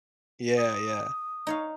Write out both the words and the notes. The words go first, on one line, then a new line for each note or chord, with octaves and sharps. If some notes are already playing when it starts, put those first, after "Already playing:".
Yeah, yeah.
D#6
D#4 C#5 F5